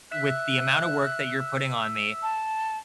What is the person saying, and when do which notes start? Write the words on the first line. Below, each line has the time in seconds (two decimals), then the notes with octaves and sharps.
with the amount of work that you're putting on me,
0.11 E5 F#6
2.23 A5